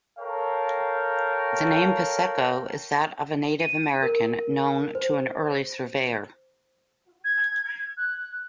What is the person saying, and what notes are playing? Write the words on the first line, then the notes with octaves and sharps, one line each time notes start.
The name Piseco is that of a Native American known to an early surveyor.
A4 A#4 C#5 F5 G5
D#7
A#4
C5
G#6
F#6